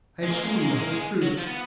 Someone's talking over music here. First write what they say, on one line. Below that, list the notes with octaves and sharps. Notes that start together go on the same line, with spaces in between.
I have shown you the whole truth!
G#3
A#3
G#3
A#3
G#3
A#3
G#3
A#3
G#3
F#3
F3
B3